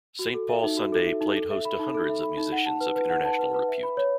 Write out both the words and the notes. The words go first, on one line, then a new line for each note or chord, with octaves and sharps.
"Saint Paul Sunday" played host to hundreds of musicians of international repute.
F#4
A4
E5
D#4
F#4
A4
E5
D#4
A4
E5
B5
D#4
A4
E5
B5
D#4
F#5
A5
B4
B4
F#5
A5
B4
B4
E5
B5
C#5